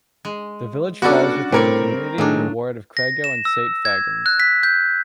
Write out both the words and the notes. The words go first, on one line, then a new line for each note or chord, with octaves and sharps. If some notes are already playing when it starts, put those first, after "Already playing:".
The village falls within the community and ward of Creigiau and Saint Fagans.
G#3
G3 B3 C#4 D4 F#4 A4 D5
A2 G3 C4 A#4 C#5 D5
A2 D#3 F#3 D4 G#4
A#6
E7
E6
G#6
F#6
B6
G6